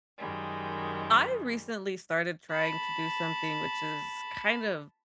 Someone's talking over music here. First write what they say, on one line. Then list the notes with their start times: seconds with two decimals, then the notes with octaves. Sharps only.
I recently started trying to do something which is kind of
0.18 F#2 D#3 G3 G#3
2.51 A5 B5